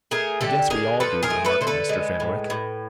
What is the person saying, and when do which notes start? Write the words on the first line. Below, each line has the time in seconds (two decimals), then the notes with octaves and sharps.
"I guess we all do," remarked Mr. Fenwick.
0.11 A3 G#4 A#4
0.41 D3 G4 A4
0.70 D3 G#4 A#4
1.00 F3 A4 B4
1.23 G#4 A#4
1.30 A3
1.45 A4 B4
1.61 D3 C5
1.67 A4 B4
1.89 G#3
2.20 A2
2.50 A2